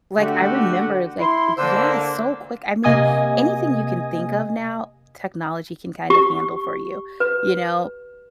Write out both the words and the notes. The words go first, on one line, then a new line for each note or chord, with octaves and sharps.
Like, I remember, like yes, so quick, I mean, anything you can think of now, technology can kind of handle for you, you know?
D3 A3 F#4 G4
E4 C6
D3 A#3 D4 C5 E6
C3 A#3 D#5 G#5 D#6 G#6
G4 C#6
B4